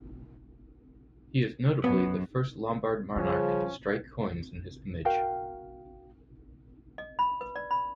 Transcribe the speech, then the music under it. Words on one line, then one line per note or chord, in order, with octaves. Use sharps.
He is notably the first Lombard monarch to strike coins in his image.
F#2 B3
C#3 F3 G3 C#4
F#4 A#4 F5 G5
D#5
B5
B4
D5
B5